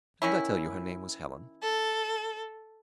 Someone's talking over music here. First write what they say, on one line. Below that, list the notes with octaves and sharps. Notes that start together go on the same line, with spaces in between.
Didn't I tell you her name was Helen?
D#3 C#4 E4
A4